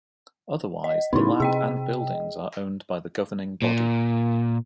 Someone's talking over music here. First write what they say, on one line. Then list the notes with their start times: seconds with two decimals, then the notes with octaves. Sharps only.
Otherwise the land and buildings are owned by the governing body.
0.84 D#5
1.13 A2 C#3 B3 D#4 E4
1.40 C3 G#4 D#5 G5
3.62 A#2